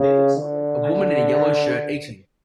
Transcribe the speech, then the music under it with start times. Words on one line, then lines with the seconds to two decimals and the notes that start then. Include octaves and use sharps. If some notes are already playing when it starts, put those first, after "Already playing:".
A woman in a yellow shirt eating.
Already playing: C#3
0.36 D3